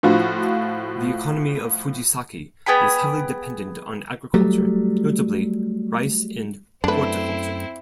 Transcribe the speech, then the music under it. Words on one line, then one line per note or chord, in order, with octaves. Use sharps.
The economy of Fujisaki is heavily dependent on agriculture, notably rice and horticulture.
A2 F3 F4 F#4
B3 G#4 G5 B5
F#3 G3 A3
F#2 A3 C4 D4 E4 B4